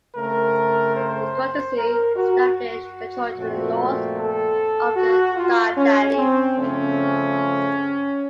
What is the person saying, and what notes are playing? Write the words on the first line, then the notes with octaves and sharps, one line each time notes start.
The Scordisci established control to the north of the Dardani.
C#3 A3 C4 A#4
C5
A#4
F#4
F#4
A#2 F3 A3 C4
A4
F#4
F4
C#4
C4
C#3 F3 A3 C4 C#4